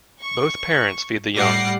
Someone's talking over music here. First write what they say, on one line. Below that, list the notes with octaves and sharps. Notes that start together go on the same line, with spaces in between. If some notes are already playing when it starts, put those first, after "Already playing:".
Both parents feed the young.
C#6
A2 G3 F#5 D6 A#6 C7